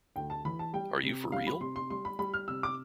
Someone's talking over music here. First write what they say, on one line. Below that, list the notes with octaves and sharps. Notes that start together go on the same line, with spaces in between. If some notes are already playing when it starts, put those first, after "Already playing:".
Are You for Real?
D2 G5
A5
E3 B5
A5
G3 G5
C3
G3 F5
B5
C3 C6
C6
G3 C6
B5
G3 B5
F6
C3 E6
D6